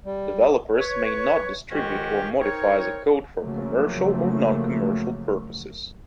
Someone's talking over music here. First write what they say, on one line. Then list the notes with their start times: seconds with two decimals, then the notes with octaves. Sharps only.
Developers may not distribute or modify the code for commercial or non-commercial purposes.
0.05 G3
0.75 B4 C#5
1.70 F2 D#3 G#3 C#4 F#4 G4
2.39 C4 D#4 A#4 C#5
3.40 C#3 F3 F#3 A3 A#3